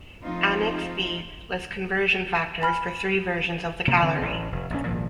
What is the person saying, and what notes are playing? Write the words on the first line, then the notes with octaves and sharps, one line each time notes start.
Annex B lists conversion factors for three versions of the calorie.
F3 A3 C4 D#4 F4
G#5 B5 F6
C3 A#3
D3 C4
A1
F1
A#1 D#2 C#4
G#1 A#2 F3